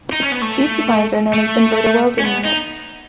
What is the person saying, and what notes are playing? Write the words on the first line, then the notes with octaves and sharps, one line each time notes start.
These designs are known as inverter welding units.
D#4
C#4
B3
A3
A3
C#4
B3
D#4